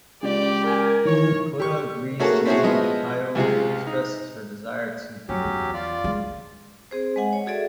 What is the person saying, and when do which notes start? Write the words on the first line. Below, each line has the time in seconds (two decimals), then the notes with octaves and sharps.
Kota agrees to meet with Kayo who expresses her desire to be with him.
0.23 C#2 G4 D5
0.67 A#4 G#5
1.05 D#3 E3 C#5
1.60 G4 C#6
2.20 A3 A#3 C#4 F#4 G#4 A4
2.46 A3 C4 C#4 E4 F#4 G#4
2.63 F3 G#3 B3 D#5 E5
3.35 C#2 C3 F4 G#4
3.86 D#4
5.29 F#2 F#3 C#4 G4
5.44 E2
5.74 F4 D5
6.04 G#3
6.91 C4 G#4 C5
7.16 G#3 D#5 F#5 G#5
7.33 C#5
7.46 F#4 G#4 A4 D5 E5